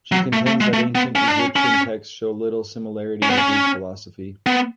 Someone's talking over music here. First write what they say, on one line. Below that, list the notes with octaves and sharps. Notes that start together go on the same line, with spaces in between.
She contends that ancient Egyptian texts show little similarity to Greek philosophy.
F#3
A3
A3
G#3
A3
B3
C#4
D4
C#4
C#4
C#4
B3
C#4
B3